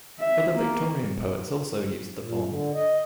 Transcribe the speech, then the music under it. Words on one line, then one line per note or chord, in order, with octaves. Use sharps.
Other Victorian poets also used the form.
E5
A#3
A#2
D3
D#5